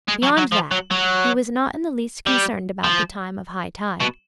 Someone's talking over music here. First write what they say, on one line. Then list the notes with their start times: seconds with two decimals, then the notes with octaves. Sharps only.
Beyond that he was not in the least concerned about the time of high tide.
0.08 G#3
0.23 F#3
0.38 F#3
0.52 F3
0.71 F#3
0.91 F#3
2.27 G3
2.84 F3
4.00 B2